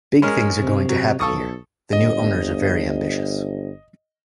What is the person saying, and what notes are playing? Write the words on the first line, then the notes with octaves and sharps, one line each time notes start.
Big things are going to happen here - the new owners are very ambitious.
G#3 C#4 A#4
C3
F#3
B1 A4 C#6 D#6
G1 D#5